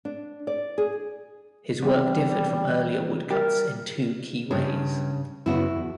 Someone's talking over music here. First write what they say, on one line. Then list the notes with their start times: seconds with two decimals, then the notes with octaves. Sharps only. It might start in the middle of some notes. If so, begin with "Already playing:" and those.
His work differed from earlier woodcuts in two key ways.
0.05 D4
0.47 D5
0.78 G#4
1.82 E2 C3 G3
3.31 G3 G4 A#4
4.51 G2 C#3 G4
5.46 F#2 C#3 B3 E4 F#4
5.76 E2